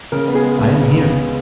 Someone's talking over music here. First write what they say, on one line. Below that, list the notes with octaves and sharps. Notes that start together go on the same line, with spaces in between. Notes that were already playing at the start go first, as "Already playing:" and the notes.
I am here.'
C#3 A#4
B3
G#4
G#3
C#2
C#3
B3
G#3